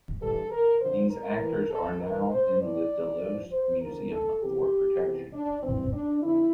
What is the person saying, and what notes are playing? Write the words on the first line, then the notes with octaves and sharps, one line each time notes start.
These actors are now in the Delos Museum for protection.
G2 E3 A4
A#4
F2 D3 F3 C5
A#4
A2 E3
A4
A2 E3 A#4
C5
A2 E3 D5
G2 F3
C5
E2 D3 F3 A#4
A4
E2 C3 F3 G4
E2 C3 F3
D4
G2 E3 C4
D4
F2 D3 E4